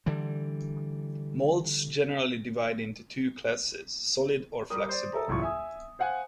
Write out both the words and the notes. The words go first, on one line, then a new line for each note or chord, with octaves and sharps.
Molds generally divide into two classes: solid or flexible.
D3 E3 G3
G3 A#4 D#6
C5 D5
A4 E5 A#5
E1 C#2 A2 F#3 F4 C#6
E5 G#5 D#6
C5 F5 F#5 G#5